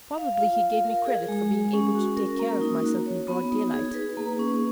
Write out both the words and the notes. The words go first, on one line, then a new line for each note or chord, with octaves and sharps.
"Probably he gave me credit for being able to take care of myself in broad daylight."
F5
F4
F4
A#4
G#4
G#3
G#3
C#4
F#4
A#4
A#3
D#4
F#4
C#5
B3
D#4
G#4
B4
A#3
C#4